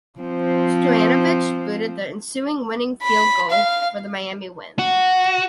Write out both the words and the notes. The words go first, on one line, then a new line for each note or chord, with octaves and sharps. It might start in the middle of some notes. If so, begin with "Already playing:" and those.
Stoyanovich booted the ensuing winning field goal for the Miami win.
F3 C4
B5
F5
F#4